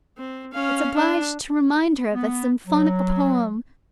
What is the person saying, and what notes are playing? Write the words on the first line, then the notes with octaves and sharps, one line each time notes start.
It's obliged to remind her of a symphonic poem.
C4
C#4 F5
D4
B3
F#3